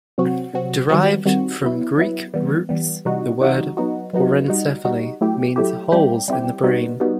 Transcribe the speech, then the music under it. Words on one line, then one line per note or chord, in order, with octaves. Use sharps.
Derived from Greek roots, the word "porencephaly" means 'holes in the brain'.
C3 F#3 C4 F#4
C3 F#3 C4 F#4
D#3 G3 C4 F#4
D#3 G3 C4 F#4
F#3 B3 E4
F#3 B3 E4
E3 G3 B3
E3 G3 B3
C3 E3 G3 D#4 F#4
C3 E3 G3 D#4 F#4
F#3 B3 D#4 F#4
F#3 B3 D#4 F#4
G3 D#4 F#4
G3 D#4 F#4
F#3 A3 E4 G4
F#3 A3 E4 G4
G3 C4 E4 G4
G3 C4 E4 G4
G3 B3 D#4 F#4
G3 B3 D#4 F#4